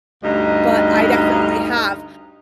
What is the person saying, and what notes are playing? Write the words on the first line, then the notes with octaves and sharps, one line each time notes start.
but I definitely have.
D2 G2 D#4 D#5